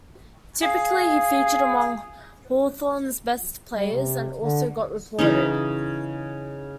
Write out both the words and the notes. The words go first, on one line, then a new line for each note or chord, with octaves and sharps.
Typically, he featured among Hawthorn's best players and also got reported.
G#4 F5
G3
C3
D3
C#3 E3 C#4 D#4